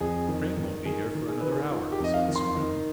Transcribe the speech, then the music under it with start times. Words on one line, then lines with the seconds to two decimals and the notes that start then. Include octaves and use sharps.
"The train won't be here for another hour," he said, smiling.
0.01 F2 G#4
0.28 D#3
0.57 D#3
0.85 D#3 G#4
1.15 D#3
1.29 G#4
1.41 D#3 B4
1.52 G#4
1.71 D#3 F4
1.92 G4
2.00 F2 D#5
2.14 F5
2.28 D#3
2.36 C6
2.57 D#3